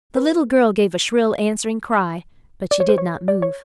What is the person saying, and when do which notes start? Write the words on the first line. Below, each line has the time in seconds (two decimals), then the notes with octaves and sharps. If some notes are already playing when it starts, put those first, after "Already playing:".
The little girl gave a shrill answering cry, but she did not move.
0.16 B4
2.71 D5
2.80 C#5
2.89 C5
2.98 C#5
3.28 D5
3.42 C#5